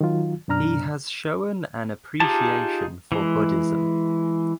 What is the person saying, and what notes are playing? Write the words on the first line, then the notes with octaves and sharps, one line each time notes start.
He has shown an appreciation for Buddhism.
D#3 F#3 F4
F#2 B2 D4 A#5 F6
D#4 F4 G4 G#4 A5
E3 G#3